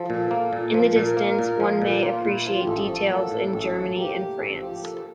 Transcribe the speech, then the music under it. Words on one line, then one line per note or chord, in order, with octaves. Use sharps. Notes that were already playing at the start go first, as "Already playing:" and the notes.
In the distance, one may appreciate details in Germany and France.
Already playing: F3 A4
A#2
A#3
A#2
F3
A#2 A#4
A#3
A#2
F3
A#2 A4
A#3 F4
A#2 E4
F3 F4
G4
A1 A4
F3
A#3
A2
A1 A4
F3
A#3 G4
A2
A1 A4
F3 G4
A#3 A4